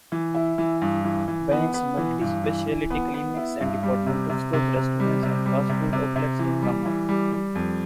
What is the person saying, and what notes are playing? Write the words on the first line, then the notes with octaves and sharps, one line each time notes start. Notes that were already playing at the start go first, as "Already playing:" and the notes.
Banks, multi-specialty clinics, and departmental stores, restaurants and fast food outlets have come up.
E3
E4
E3
G2
E3
E3
B3
B3
E3
G2
E3
E3
B3
B3
E4
G2
G3
C3
C3
C3
C3
G3
C3
G3
C3
C3
C3
E3
G3
E3
G3
G3
F2